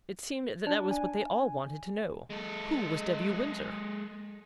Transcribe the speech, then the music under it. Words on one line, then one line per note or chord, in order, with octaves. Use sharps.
It seemed that that was what they all wanted to know: Who was W. Windsor?
D4
G#5
G#3 A4